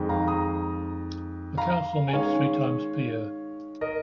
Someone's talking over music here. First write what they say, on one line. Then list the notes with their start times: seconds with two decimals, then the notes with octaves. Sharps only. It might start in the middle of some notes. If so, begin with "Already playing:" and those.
The Council meets three times per year.
Already playing: F2 D#3 G#3
0.09 F5 A#5
0.28 A#5 D#6
1.58 F5 A#5
2.08 G#5
2.13 D#3 G#3 C#4 C#5 F5
3.81 A#4 D#5